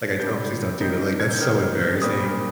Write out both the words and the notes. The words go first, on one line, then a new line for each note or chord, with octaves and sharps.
Like, I tell him, "Please don't do that. Like, that's so embarrassing."
C3 G3 D4 G6
D#3 A#3 D#4 G6
G#6
G6
D#3 A#3 D#4 F6
A#2 G3 C4 D#6